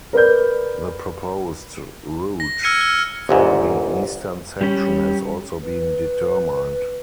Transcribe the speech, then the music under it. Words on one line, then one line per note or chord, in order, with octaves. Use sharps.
The proposed route for the eastern section has also been determined.
A#4 B4 D5 G6
A#6
E6 F6 G#6 C#7 D#7
F6
G1 C2 G#2
G3 C#4
B4